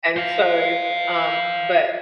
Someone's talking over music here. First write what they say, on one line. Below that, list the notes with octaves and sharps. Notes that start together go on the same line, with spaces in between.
And so, um but
C5 F5